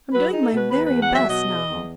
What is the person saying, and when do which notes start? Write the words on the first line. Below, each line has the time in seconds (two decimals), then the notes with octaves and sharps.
I'm doing my very best now.
0.13 F#3 B4
0.28 D#4 G#4
0.42 A4
0.51 B2 B4
0.71 E2 B4
0.85 E2 B4
0.99 F#5
1.09 F#3 E5
1.28 B2 D#5
1.48 E2
1.67 E2